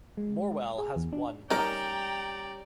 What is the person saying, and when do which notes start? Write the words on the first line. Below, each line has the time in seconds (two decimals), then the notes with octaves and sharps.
Morwell has one platform.
0.17 G#3
0.78 G#4
0.96 E2
1.13 D4
1.50 G3 C#4 D#4 G4 A#4 D5 G5 A#5